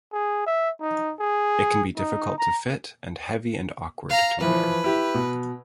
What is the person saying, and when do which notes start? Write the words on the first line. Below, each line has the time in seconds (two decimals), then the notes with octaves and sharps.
It can be difficult to fit and heavy and awkward to wear.
0.13 G#4
0.47 E5
0.81 D#4
1.19 G#4
1.97 D#4
2.39 A#5
4.10 F5 A#5
4.41 E3 F3 B4
4.84 E4 G4
5.14 B2